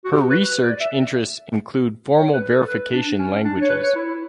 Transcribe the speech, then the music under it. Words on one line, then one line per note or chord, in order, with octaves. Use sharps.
Her research interests include formal verification languages.
F#4
G4
B4
B4
D5
E5
C#5
B4
A4
B4
D4
C#4
D4
C#5
B4
C#5
E4
E4